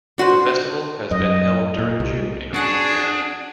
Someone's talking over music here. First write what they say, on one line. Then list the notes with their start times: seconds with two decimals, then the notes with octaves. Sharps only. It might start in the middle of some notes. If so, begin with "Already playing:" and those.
The festival has been held during June in recent years.
0.18 D4 F#4 B4 C5
1.11 F#2 D#5
1.78 A#2
2.00 C2
2.54 D4 F#4 G#4 F#5 A5